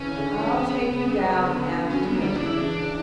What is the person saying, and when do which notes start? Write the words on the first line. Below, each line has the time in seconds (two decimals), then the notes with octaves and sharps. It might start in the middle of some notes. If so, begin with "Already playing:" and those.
"I'll take you down after milking."
Already playing: C#3 E3 C#4
0.12 D3
0.56 C#3 B3
1.01 C#3
1.46 D3
1.90 D3 F#3 C#4
2.05 B3
2.15 A#3
2.21 G3
2.35 C#3 E3 D4
2.46 E4
2.57 D4